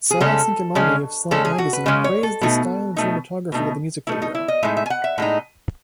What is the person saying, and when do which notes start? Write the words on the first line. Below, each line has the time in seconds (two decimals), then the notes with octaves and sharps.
Sal Cinquemani of "Slant Magazine" praised the style and cinematography of the music video.
0.11 G#4
0.20 C#3 G#3 C#4 A4
0.75 C#3 G#3 C#4
1.31 C#3 G#3 C#4 A4
1.45 G#4
1.58 F#4
1.73 B4
1.86 C#3 G#3 C#4 D#5
2.04 C#5
2.23 A4
2.41 B2 A3 D#4
2.97 B2 A3 D#4
3.52 B2 A3 D#4
4.07 B2 A3 D#4 E4
4.22 D#4
4.35 E4
4.48 D#5
4.63 A2 G#3 D#4 E5
4.77 E5
4.86 G#5
4.90 F#5
5.04 E5
5.18 A2 G#3 D#4